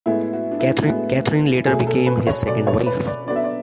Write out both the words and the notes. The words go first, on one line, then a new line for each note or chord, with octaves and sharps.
Catherine later became his second wife.
A2 G#3 B3 E4
F#4
D4
E4
A2 G#3 B3 F#4
B2 F#3 A3 G#4
A4
B4
C#5
B2 F#3 A3 D5
C#5
B4
D5
D3 F#3 B3 D5
E5
D5